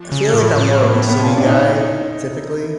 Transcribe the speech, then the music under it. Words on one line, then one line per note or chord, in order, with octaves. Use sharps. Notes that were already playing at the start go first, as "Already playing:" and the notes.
feel like I'm more of a city guy, typically,
Already playing: F3
C#3
A2 F3
A2 F3
A#3
B3
B3
C4
A#2 C#4
D4
A2
A#2 D#4
E4
D#4